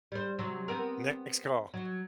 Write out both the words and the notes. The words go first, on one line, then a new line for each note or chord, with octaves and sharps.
next call.
G3 C5
C3 F#3
B3 C4 A#4
F#3